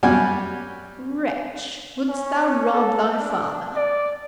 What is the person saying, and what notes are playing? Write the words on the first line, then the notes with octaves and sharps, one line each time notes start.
'Wretch! wouldst thou rob thy father?'
F#2 G3 F#4 G4 D5 G#5
C#4
A4
D4
D5